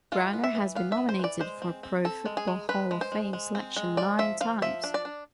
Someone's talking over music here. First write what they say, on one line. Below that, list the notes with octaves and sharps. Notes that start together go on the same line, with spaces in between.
Browner has been nominated for Pro Football Hall of Fame selection nine times.
G#3 F4
B3
E5
E3
B3 F5
E3 E5
C5
E3 D5
G#3 C5
C4
C4
C4 A4
G#3
G#4
G#3
G#3 B4
G#3
C5
G#3
G#3
C4
G#3
F3 D5
F3 E5
F3 F5
F3 E5
D4
D5
D4